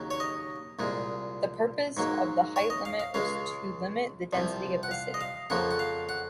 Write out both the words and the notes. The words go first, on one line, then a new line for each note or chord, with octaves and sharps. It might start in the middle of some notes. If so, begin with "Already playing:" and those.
The purpose of the height limit was to limit the density of the city.
Already playing: D#2 C#3 F#3 A#3
C#5
D#5
C2 A#2 G#3
G#2 F#3 A#3
C#5
D#5
F5
F5
C#2 C#3 G#3 F5
C2 C3 F3
F#5
F5
D#5
F5
F2 C#3 F3 A#3 F#5
F#5
F5
F#5